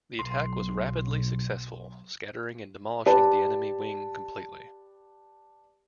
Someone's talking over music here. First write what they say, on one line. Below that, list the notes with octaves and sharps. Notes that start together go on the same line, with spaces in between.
The attack was rapidly successful, scattering and demolishing the enemy wing completely.
B1 C6
G4 B4 D5 A5